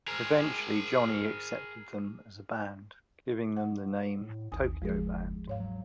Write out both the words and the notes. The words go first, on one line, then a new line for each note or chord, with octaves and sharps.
Eventually, Johnny accepted them as a band, giving them the name "Tokio Band".
G#4 A#4
F#5
A2
G#1 D#2 G#5 D#6
F#1 F3 G#3 G#4
G#2 C#5 F5
F#3